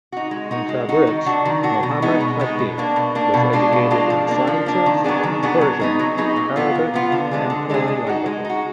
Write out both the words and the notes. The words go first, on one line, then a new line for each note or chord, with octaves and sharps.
In Tabriz Mohammad Taqi was educated in sciences, Persian, Arabic and foreign languages.
D#4 F#4
G#3
D#4 F#4
G#3
D#4 F#4
D#3
F#3 D4 F#4
D#3
F#3 D4 F#4
B2
G#3 B3 D#4
B2
G#3 B3 D#4
B2
A#3 D4
B2
A#3 D4
B2
G#3 D4 F4
B2
G#3 D4 F4
F3
A#3 D4
F3
A#3 D4
D#3
F#3 B3 D4 G#4
D#3
F#3 B3 D4 G#4
F#3
B3 D#4 G#4
F#3
B3 D#4 G#4
A#2
F3 B3 F4
A#2
F3 B3 F4
D3
G#3 D4 G#4
D3
G#3 D4 G#4
G#3
D#4 F#4
G#3
D#4 F#4